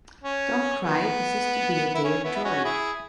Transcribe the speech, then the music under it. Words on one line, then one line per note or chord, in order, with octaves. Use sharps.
Don't cry; this is to be a day of joy.
C#4
B3
E4
C#4
B3 E4
E4
C#4 F#4
E4 G#4